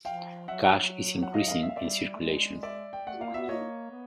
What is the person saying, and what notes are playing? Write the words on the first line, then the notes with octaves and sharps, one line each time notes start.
Cash is increasing in circulation.
F3 F5 G5
F#3 E5 F#5
F#5
D#5 F5
D#5 F5
E5
F5
G3 D5 E5
A3
G#3
D5 E5
G5
A3 F#5
A#3 F5
B3 E5
A#3 C#5 D#5
B3